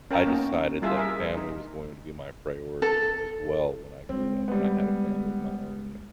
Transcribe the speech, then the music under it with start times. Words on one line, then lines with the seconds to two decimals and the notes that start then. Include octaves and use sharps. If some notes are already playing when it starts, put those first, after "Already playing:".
I decided that family was going to be my priority as well when I grew up and I had a family of my own.
0.11 C#4 A#4 F5 G5 A5 A#5
0.26 A#3 B3 C#4 D#4
0.82 G3 E4 F4 G#4 E5 A5
0.95 G#4 A#4 E5
1.37 D#4
2.82 A4
4.09 G#3 C4
4.48 G3 B3